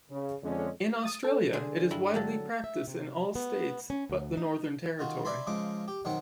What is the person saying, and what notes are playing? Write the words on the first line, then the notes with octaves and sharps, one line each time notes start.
In Australia, it is widely practiced in all states but the Northern Territory.
C#3
F2 D3 G#3 C#4
D#6 A6 D#7
A4
D3 G#4 C5
G2 E4 E5
D3 F#3 G#3 A4
E5
C3
B3
C#4
D2
D#4
D#3 F4 F#4
D5 E5 G#5 B5 C6
C#3 F3 G#3 D6
G4
B1 D#3 F#3 C4 F#5